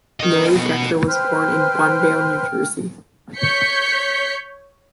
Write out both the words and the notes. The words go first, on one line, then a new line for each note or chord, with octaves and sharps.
Mary Decker was born in Bunnvale, New Jersey.
A#4 D#5
B2
B4 C5 G5 F6
C#5 G6 B6 C#7